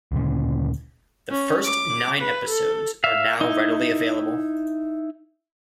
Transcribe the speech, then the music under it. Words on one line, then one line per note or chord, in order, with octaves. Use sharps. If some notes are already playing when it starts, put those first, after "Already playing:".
The first nine episodes are now readily available.
D2 A#2 C#3
C#4
D6
B4
A4
E5 F5
D#4 E4